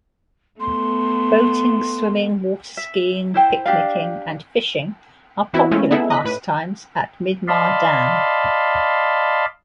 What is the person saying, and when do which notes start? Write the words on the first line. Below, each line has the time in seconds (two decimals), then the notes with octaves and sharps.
Boating, swimming, waterskiing, picnicing, and fishing are popular pastimes at Midmar Dam.
0.60 A3 B3 C6
2.77 E5
3.34 E4 C5 G5
3.66 D4 G4 D5 F5
5.53 E3 B3 C4 E4 F#4
5.71 G#3 A3 C4 C#4 E4 F4
5.91 B3 D#4 E4 G#4 A4 E5
6.10 D#5 F#6 B6
6.25 A2 B4 D#7
7.48 D5 D#5 F5 A5 B5 C6